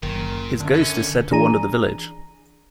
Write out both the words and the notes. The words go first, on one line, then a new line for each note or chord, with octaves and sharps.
His ghost is said to wander the village.
F#1 A#2 D#3
F#2 D3
C#4
E3 D4 G#4 A#5 D#7